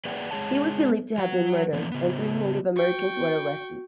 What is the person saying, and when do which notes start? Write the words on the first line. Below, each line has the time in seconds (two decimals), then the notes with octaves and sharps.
He was believed to have been murdered, and three Native Americans were arrested.
0.05 A#3 G#4 B4 D5 F#5 G5
0.31 G#3 B3 G#4 C#5 F#5 A5
1.18 F#3 F#5
1.73 E3 F3 A#3 B3 C#4 D4
1.92 C#3 B3
2.76 F#4 G5 C#6